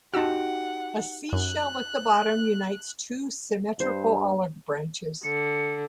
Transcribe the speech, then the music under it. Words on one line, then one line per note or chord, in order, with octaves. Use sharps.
A seashell at the bottom unites two symmetrical olive branches.
D#4 F#4 G4 F#5 A5 E6
F#2 F#6
G2 C5
D3 C#7